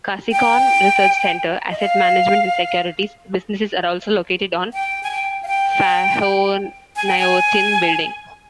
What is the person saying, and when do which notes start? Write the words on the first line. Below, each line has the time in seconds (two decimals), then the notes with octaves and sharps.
Kasikorn Research Center, Asset Management and Securities businesses are also located on Phahonyothin building.
0.32 G5
1.70 D#5
1.79 F5
4.74 G5
5.03 G#5
5.11 G5
5.43 F5
5.48 G5
6.96 G#5
7.07 G5
7.18 G#5